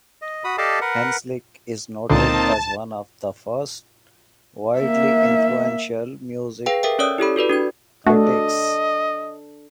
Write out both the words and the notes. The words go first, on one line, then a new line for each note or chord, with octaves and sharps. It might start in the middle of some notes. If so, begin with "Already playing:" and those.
Hanslick is noted as one of the first widely influential music critics.
D#5
F#4 B5 D#6
G4 A4 D5 D#5 F5 A5
A#4 B4 F#5
C#2 A#2 D3 A#3 C4 D#4 A5
A#3 E5
G#4 B4 F5 G5
A4 A#4 E5 G5
C#4 C#5 D5 D#6 E6
E4 G4 A4 B5
F#4 A4 B4 D5
D4 F#4 G#6
A3 D4 F#4 A4 D#5